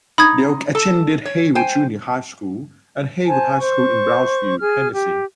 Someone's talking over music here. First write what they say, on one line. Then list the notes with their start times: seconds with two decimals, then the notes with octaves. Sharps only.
Delk attended Haywood Junior High School and Haywood High School in Brownsville, Tennessee.
0.18 D#4 B5 D#6 G#6
0.75 A4 A5
1.25 C#5
1.55 C5 G5 G#5
3.26 C5 G#5 A5
3.59 C5 C#6
4.59 G#4 F6
4.93 G4